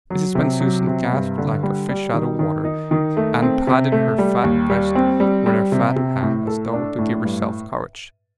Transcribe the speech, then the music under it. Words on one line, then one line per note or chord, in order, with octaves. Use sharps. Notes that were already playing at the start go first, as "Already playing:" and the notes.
Mrs. Bensusan gasped like a fish out of water, and patted her fat breast with her fat hand, as though to give herself courage.
F#3
C3
F#3
C3
G2
D3
G3
G3
D#3
D#3
D#4
D#3
A3
C4
C3
A3
G3
D#2
G3
C4
G3
G3
C3
C3
A2
A4
D4
A2
G2